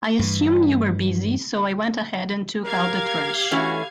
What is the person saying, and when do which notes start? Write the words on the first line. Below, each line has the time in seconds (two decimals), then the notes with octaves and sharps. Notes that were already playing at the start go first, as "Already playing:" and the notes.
I assumed you were busy, so I went ahead and took out the trash.
0.19 G2 E3
2.65 G4 A#4 F5 G#6
3.51 E3 A3 C#4 F#4